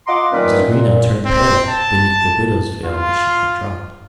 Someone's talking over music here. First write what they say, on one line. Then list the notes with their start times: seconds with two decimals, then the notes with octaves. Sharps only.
Mrs. Greenow turned pale beneath the widow's veil which she had dropped.
0.07 F4 D#5 F#5 A#5 C6 D6
0.31 A#2 D#3 F#3 A3 C#4 B4
0.67 A#2
1.25 C4
1.68 A5
2.85 F4